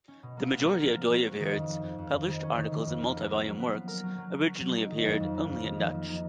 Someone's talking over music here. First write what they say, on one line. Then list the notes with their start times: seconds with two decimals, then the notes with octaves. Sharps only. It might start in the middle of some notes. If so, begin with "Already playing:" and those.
The majority of Dooyeweerd's published articles and multi-volume works originally appeared only in Dutch.
0.08 C#4
0.23 B2
0.37 A#3
0.51 B3
0.66 A#4
0.82 F3
0.96 F3
1.10 F3
1.25 F#4
1.40 D#3
1.54 F2
1.69 F2
1.83 F2
1.98 F2
2.12 F2
2.28 D#3
2.43 C#4
2.57 D#3
2.72 D#3
2.86 F2
3.00 A#3
3.16 A#4
3.30 B3
3.45 F#3
3.60 B3
3.74 F4
3.88 A#4
4.03 F#3
4.18 F#3
4.33 F#3
4.48 F#3
4.62 F#3
4.77 D#4
4.91 D#3
5.06 F2
5.20 F2
5.34 A#3
5.49 F2
5.64 D#3
5.79 F3
5.94 F3
6.08 D#4